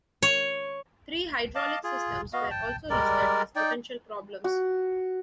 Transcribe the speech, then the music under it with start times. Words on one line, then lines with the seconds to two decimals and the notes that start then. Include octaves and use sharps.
Three hydraulic systems were also listed as potential problems.
0.22 C#5
1.55 D#5 F5 A5 D6
1.84 F4 G#4
2.33 B3 F#4 D#5 F5
2.50 G5 A5
2.90 G3 G#3 A#4 D5
3.56 D#4 D5 G5
4.44 F#4